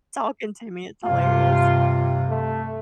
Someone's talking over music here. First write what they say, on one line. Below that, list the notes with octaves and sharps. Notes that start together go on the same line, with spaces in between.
talking to me, it's hilarious.
G2 C3 F4
A3